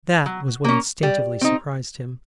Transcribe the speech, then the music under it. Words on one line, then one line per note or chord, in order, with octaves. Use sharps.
That was what instinctively surprised him.
F#3
A#3 C#4
G3
C4 D#4